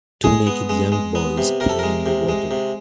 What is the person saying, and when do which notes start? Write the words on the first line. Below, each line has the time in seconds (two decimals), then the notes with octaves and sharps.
Two naked young boys play in the water.
0.24 G#3 G#4
0.47 B3
0.69 G#3
0.92 G#3
1.15 B3
1.38 C3
1.60 C3 A#4
1.69 A4
1.79 G#3 A#4
2.06 C3
2.29 G#3
2.51 C3